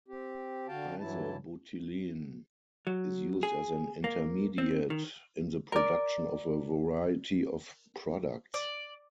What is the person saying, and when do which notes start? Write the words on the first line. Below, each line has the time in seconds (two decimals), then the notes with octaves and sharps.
Isobutylene is used as an intermediate in the production of a variety of products.
0.08 C4 G4
0.68 D3 F#4 F5 G5 A5
0.99 G2 E3 F#3 E4 A5
2.87 F#3
3.43 G#4
4.04 A#3
4.58 C4
4.90 D#3
5.72 A#4 D5
8.54 D5